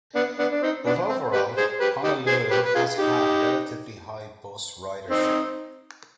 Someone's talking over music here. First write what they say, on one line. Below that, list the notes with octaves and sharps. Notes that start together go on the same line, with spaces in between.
But overall, Honolulu has had relatively high bus ridership.
B3 D4
B3 D4
D4
C4 D#4
B3 D4
C4
G4 B4
G#4 C5
G4 B4
D#4 G4
G#4 C5
G4 B4
B4
F4 G#4
D#4 G4
C4 D#4